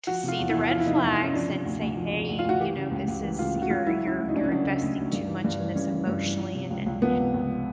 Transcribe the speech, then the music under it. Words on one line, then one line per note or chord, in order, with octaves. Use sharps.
to see the red flags and say, "Hey, you know, this is you're you're you're investing too much in this emotionally and and,
F3 F#4
C3 F4
E2
E4
E2
F3 F4
E4
C3 D#4
E4
E2
E2
C#4
F3 D4
C3
D2
D2
F3
C3
D2
F4
D2 F#4
E3 G4
C#3
C#2
C#2
E3
C#3 F4
C#2
F#4
C#2 F4
F#3 E4
C#3 E4
D2
D#4
D2 D4
C#4
F#3 D4
C#3
D2
D2
G2
E3
G2
E3
G2 C#4
E3
G2
E3
F3
C3
C#2
C#2
F3 B3
C3
C#2